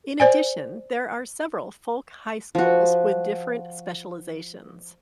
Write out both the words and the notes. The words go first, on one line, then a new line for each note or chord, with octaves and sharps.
In addition, there are several folk high schools with different specialisations.
C5 D5 G#5
F3 F#4